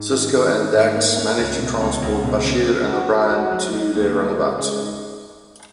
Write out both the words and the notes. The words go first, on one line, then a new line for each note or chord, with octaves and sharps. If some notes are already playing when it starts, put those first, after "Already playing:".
Sisko and Dax manage to transport Bashir and O'Brien to their runabout.
Already playing: G#2
D#3
D#3
D#3
G#2
A#3
C#4
C#2
B2
C#2
C#2
B2
C#3
C#3
F#4
F#4
F#4
F#3
D#4
D#2
G#3
C#3
G#3
D#4